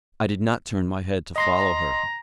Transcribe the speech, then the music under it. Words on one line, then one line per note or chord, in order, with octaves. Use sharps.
I did not turn my head to follow her.
D#5 A#5 C6 A#6